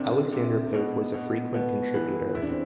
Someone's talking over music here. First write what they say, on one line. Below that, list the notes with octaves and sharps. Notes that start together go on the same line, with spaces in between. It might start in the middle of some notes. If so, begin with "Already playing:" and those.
Alexander Pope was a frequent contributor.
Already playing: B1 C3 D4
C3
B2
B2
B3
E3
E2 E4
D4
C4